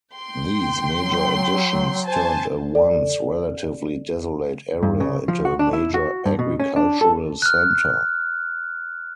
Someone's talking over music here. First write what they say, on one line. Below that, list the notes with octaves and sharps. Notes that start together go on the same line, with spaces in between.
These major additions turned a once relatively desolate area into a major agricultural center.
G5 C6
F#3
C5 G#5 A5
A4 D5
G2
C#3
F3
F#4
D4
E4
F#4
G2
B2
C#4
D4
A4
F6 F#6